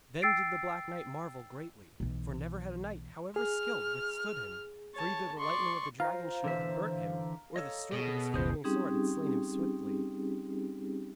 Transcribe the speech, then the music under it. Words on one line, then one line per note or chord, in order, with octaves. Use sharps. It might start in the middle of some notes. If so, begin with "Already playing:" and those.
Then did the Black Knight marvel greatly, for never had a knight, however skilled, withstood him, for either the lightning of the dragon shield had burnt him, or the stroke of his flaming sword had slain him swiftly.
G5 E6 A6 C7 D7
B1 E3
G#4 F6
C#5 A5
D5 C6 C#6
F4 C5 F5 A#5
D3 E3 E5
A4 C#5 D#5
B2 G#4
G#1 D#2 C#3 G#4 C5
G3 C4 C#4 D#4 G4 G#4